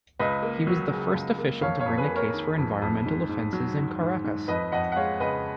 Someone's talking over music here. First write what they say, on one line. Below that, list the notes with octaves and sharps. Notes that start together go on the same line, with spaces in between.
He was the first official to bring a case for environmental offenses in Caracas.
C#2 B4 D#5
A#3
F#3
C#3
C#2
A#3
F2 C#5 F5
C#5 F5
F2
G#4 B4
A#3
A#4 C#5
D#3
F2
F2
G#2
G#2
F#3
D#3
G#2
G#2
F2 B4 D#5
F2 D#5 F#5
F#5
G#3 C#5 F5
C#3 B4 D#5